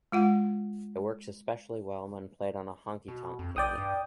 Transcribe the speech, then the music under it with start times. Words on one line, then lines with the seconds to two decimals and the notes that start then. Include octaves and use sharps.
It works especially well when played on a "Honky tonk" piano.
0.12 G#3 F4 F#5
3.08 B2
3.39 F2
3.56 B1 D5 G5 D#6
3.78 G2